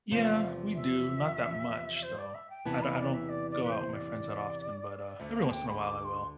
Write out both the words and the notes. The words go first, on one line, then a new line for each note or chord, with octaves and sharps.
Yeah, we do not that much though. I don't I don't go out with my friends that often, but uh, every once in a while I will.
E2 C3 F3 A3 F5
E5
C5
D5
E5
G5
E2 C3 E3 B3 E4 A5
B5
D5
E5
D5
D5
B4
C5
D5
D2 D3 A3 E5
F5
A5
G5
B5
D6
C6